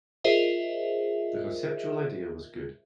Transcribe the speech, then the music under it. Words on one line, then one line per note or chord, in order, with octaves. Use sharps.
The conceptual idea was good.
F4 G#4 A#4 C5 D#5 E5